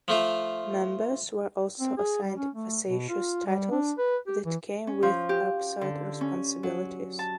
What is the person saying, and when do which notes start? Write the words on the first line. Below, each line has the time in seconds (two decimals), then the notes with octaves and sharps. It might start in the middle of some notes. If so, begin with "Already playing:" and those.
Members were also assigned facetious titles that came with absurd responsibilities.
0.08 F3 A3 F4
1.80 C4
1.97 G#4
2.23 G3
2.37 C#4
2.55 A3
2.87 B2
3.09 F4
3.46 G3
3.71 D4
3.98 B4
4.27 G4
4.45 E3
4.87 C#4
5.03 F3
5.29 G4
5.81 D3
6.21 C#4
6.63 F#3
7.19 A5